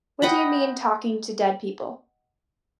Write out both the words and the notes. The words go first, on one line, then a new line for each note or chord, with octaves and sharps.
What do you mean talking to dead people?
D#5 F#5 G5 B5